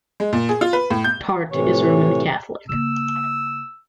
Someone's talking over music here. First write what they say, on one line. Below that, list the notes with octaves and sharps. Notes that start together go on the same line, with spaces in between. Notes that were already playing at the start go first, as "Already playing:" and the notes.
Tartt is Roman Catholic.
G#3
A#2
G#4
F4
B4
A2
G6
A2 C3 E3 C#5
C#3 A#3 E6